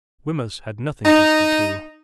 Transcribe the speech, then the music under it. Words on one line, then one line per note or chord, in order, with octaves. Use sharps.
Wemyss had nothing to see to.
D#4